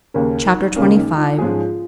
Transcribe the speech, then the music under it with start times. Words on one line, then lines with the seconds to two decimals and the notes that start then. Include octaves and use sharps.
Chapter XXV.
0.14 D#2 C#3 A#3 A#4
0.45 D#4
0.76 D#2 C#3 A#3 C#4
0.97 D#4
1.17 F4
1.38 G#2 F3 G#3 C#4 F4 G#4
1.59 F4